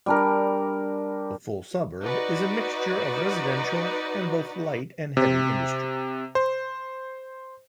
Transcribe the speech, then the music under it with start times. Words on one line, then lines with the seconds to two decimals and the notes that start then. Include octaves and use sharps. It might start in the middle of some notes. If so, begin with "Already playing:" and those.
The full suburb is a mixture of residential and both light and heavy industry.
0.06 G3 D4 A#4
2.03 D#4 F#4 B4 D5
5.17 C3
6.35 C5